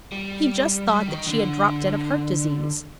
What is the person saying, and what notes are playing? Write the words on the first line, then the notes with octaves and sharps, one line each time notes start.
He just thought that she had dropped dead of heart disease.
G3
G3
D#3
D3